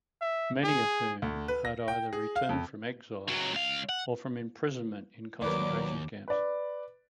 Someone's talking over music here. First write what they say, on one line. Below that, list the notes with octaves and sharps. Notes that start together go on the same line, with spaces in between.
Many of whom had either returned from exile or from imprisonment in concentration camps.
E5
G#4
D2
B4
A#6
G5
G#4
F5
F2
C#2 F#3
C#2 F5
F#5
D#2 F#3 A#4 B4 D5 D6
B4 D5